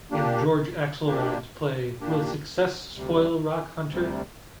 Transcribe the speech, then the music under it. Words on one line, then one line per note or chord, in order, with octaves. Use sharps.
In George Axelrod's play Will Success Spoil Rock Hunter?
A#2 A#3 D4 G4
A#2 A#3 D4 G4
A#2 A#3 D4 G4
D2 C3 G3
D2 C3 G3